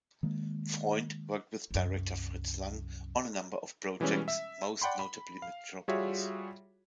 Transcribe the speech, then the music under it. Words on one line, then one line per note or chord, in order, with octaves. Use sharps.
Freund worked with director Fritz Lang on a number of projects, most notably Metropolis.
D#3 G#3 A#3
C2 F#2
B2 E3 G3 G#3 C#4
E5
D5 F#5 G5 B5 C6
B5
F5
G3 F4 F#4 G#4 C#5 E5